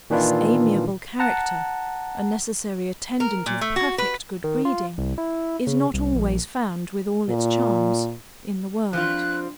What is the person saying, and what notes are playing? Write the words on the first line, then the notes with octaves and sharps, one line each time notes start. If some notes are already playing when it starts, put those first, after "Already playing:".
This amiable character, a necessary attendant of perfect good breeding, is not always found with all its charms, in the world.
A#2 D#3 E3 D4 E4 F4
F#5 A5 A#5
A#4
A#2
A3
F#4
B4
D#3
F4
C2
E4
C#3
C2
A#1
A#2
F3 C4 D4 F4 F#6